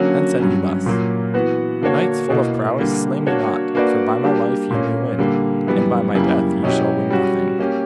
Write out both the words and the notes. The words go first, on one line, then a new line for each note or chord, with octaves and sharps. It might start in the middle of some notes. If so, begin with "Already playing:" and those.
Then said he thus: Knights full of prowess, slay me not, for by my life ye may win, and by my death ye shall win nothing.
Already playing: D3 F#3 A#3 C#4 F#4
G2 F#3 C#4
A#2 F#3 A#3
E3 B3 F#4 B4
D3 A#3 D4 F#4 C#5
B2 A#3 E4
D3 G3 A#3
A#3 D4 F#4 C#5
A#3 D4 F#4 B4 D5
G3 A#3 D4 G4
A#2 A#3 C#4
D3 G3 A#3
F#2 E3 G3 B3 E4
F#2 C#3 G3 A#3 E4
B2 F#3 C#4 E4 G4
G3 C#4 F#4
A#3 C#4 G4